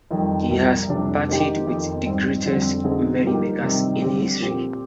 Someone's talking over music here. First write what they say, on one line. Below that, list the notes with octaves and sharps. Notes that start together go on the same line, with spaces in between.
He has partied with the greatest merrymakers in history.
F2 D#3 G3
C2 A#2 G3
F2 C3 G3 D4 G4
D#3 G#3 D#4 G4
F2 D#3 A#3
G#2 G3 C4
F2 D3 G3 C4
D3 G#3 C4 D#4 G#4
G2 F3 A#3 D#4 G4
C3 D#3 G3 C4 D#4
D3 G3 C4 G4
A#2 F3 C4 G4